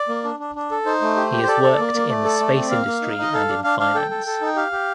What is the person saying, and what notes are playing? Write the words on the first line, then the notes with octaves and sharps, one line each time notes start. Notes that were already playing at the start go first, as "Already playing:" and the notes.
He has worked in the space industry and in finance.
Already playing: D5
A#3
D4
D4
D4
A4
D#4 C5
A3
G4
G4
C5
A4 D5
A4
A#3
A#3
A3
A4
A3
C4
A#3 F5
A#3
D#4
D#4 D#5
A4 F5
D4
D4 F5
D4 F5
A4 G5
A4
A4
D#4 G5
G4 F5
G4